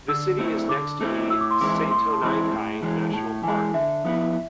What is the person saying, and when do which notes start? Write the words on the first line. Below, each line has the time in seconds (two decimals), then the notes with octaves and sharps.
The city is next to the Setonaikai National Park.
0.08 D3 E6
0.39 A3 C4 E4
0.69 D3 D6
1.01 A3 C4 E4
1.30 A2 E6
1.41 D6
1.51 C6
1.61 E3 G#3 C4 E4 D6
1.91 A2 C6
2.13 A5
2.22 E3 G#3 C4 E4 B5
2.52 A2
2.83 E3 G#3
3.13 A2 A5
3.43 E3 G#3 G#5
3.74 D3 E5
4.05 F3 B3 E4